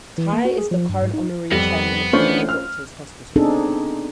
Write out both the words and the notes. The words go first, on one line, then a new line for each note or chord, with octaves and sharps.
Ty is the current honorary chairman of Manila Doctors Hospital.
E3
A#3
F#4
G#4
F3
G2
G#2
D#4
F2 G3 B3 A#6
E3 A3 C#4 D4 F4 C5
F6
B3 C4 D4 D#4 G#4 A4